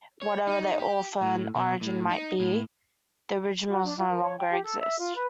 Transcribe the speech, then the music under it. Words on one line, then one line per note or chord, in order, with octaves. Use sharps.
Whatever their author and origin might be, the originals no longer exist.
C#5
D#4
G4
A2
B2
A2
D#4
A2
F#4
D4
F4
A#4
C#5
G5
G4
A4
E5
F4
B4